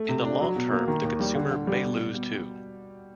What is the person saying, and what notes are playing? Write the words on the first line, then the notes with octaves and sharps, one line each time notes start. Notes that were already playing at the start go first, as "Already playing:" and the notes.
In the long term, the consumer may lose too.
Already playing: A3
C3
D4
F#3
B2
A#3
D#3
D#2
G3
D3
D3
G3
B2
B2
B2